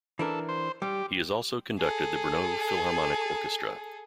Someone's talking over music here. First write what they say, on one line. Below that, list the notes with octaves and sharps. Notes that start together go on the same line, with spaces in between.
He has also conducted the Brno Philharmonic Orchestra.
E3 D4 A4 A#4
C5
G3 G4
G#4 A4